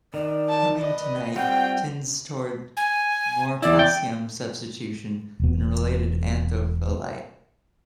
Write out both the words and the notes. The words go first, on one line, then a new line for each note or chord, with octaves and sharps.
Cummingtonite tends toward more calcium substitution than related anthophyllite.
D#3 D5
A5
B4 D#5
G3 C4 F4 F#5 G5
G#5
E2 E4 D5
G5
E1 B2